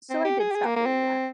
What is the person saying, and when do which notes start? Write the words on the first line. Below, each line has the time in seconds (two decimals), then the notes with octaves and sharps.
So, I did stop doing that.
0.10 C4
0.25 G4
0.40 G#4
0.52 G4
0.55 G#4
0.65 A#3
0.76 A#3
0.86 C4